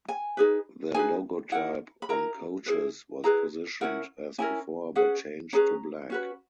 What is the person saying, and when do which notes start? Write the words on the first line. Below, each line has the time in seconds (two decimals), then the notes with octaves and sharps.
The logotype on coaches was positioned as before but changed to black.
0.08 G#5
0.37 D#4 G#4 B4
0.94 D#4 G#4 B4 G#5
1.52 E4 A#4 F#5
2.02 B5
2.09 E4 A#4 A#5
2.66 E4 G#4 B4
3.24 E4 G#4 B4 A#5
3.81 C#4 E4 A#4 F#5
4.38 C#4 E4 A#4 G#5
4.95 C#4 G#4 B4 F#5
5.53 C#4 G#4 B4 A#5
6.10 C#4 F#4 B4